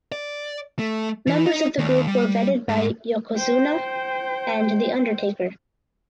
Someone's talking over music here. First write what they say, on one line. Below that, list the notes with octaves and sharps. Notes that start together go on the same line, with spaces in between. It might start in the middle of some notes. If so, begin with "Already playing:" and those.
Members of the group were vetted by Yokozuna and The Undertaker.
D5
A3
E3
D#4
D#2
G3
G#2
C5 G5